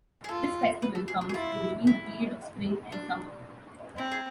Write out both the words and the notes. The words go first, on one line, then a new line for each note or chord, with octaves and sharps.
This festival comes to between the period of spring and summer.
G#4
F4 A4
B4
A4
G#4
D4
G#4
E4 F4
E4
D4
C4 E4
G#4